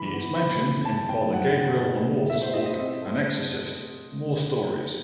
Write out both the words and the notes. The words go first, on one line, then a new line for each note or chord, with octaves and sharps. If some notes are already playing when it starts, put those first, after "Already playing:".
He is mentioned in Father Gabriele Amorth's book "An Exorcist: More Stories".
Already playing: E3 B5
B3
E3
C3
D#3 A5
D#3 G5
F#3 F#5
D#3
B2
B2
E4 E5
C5
E4 D#5
D#5
C4
A3